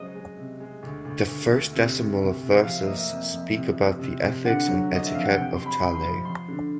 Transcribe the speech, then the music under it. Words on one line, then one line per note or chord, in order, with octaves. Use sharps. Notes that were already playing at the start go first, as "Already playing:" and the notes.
The first decimal of verses speak about the ethics and etiquette of Taleh.
Already playing: C#3 F#3 G#3 D#5
G#3
C3
G#3
D2
D2
D2
D2
C3
C3
C3
C3
F3 F5
E5
A#3 D#5
E5
F2
F2
C3
C3
C3
C3
D3 F#5
F#3
D3
D#5
E5
F2 F5
F#5
C3 G5
C3 C6
B5
C3
B5 C6
F3
F3 C6
D3